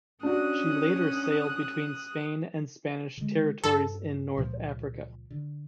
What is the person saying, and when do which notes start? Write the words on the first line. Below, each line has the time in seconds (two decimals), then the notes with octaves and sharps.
She later sailed between Spain and Spanish territories in North Africa.
0.23 C#4 D4 F#4 D#6 F#6
3.17 D3 G#3
3.64 G2 A4
4.36 C#2 A#2 F3
5.30 D3